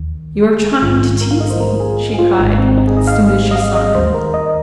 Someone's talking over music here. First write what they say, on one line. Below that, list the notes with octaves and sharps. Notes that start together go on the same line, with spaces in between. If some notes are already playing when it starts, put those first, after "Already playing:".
'You are trying to tease me,' she cried, as soon as she saw him.
Already playing: D#2 D#3
G#4
A#1 G#2 D#3 F4
A#4
F5
D#5
C5
A#4
G#4
G#4
F4
G#1 G#2 D#3 D#4
C4
D#4
G#4
D#5
F5
D#5
F5
D#5
D#2 D#3 C5
A#4
D#5